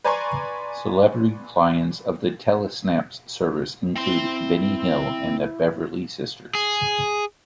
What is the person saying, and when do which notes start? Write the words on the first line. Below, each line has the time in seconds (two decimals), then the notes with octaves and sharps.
Celebrity clients of the tele-snaps service included Benny Hill and the Beverley Sisters.
0.04 B4 D5 G#5 A#5 C6 C#6
3.96 C4 E4 C6
6.55 G#4